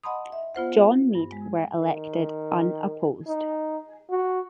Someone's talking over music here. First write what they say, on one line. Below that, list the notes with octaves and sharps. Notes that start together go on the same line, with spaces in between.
John Meade were elected unopposed.
D#5 F#5 A5 B5 C6 D#6
E5
B3 F4 C5 F#5
G2
G#3
D#3
D#4
F#4